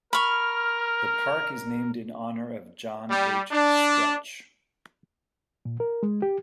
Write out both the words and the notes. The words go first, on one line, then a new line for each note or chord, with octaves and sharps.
The park is named in honor of John H. Stretch.
A#4 B5 C#6 F6
G3
D4
A#2
A#4
G#3
G4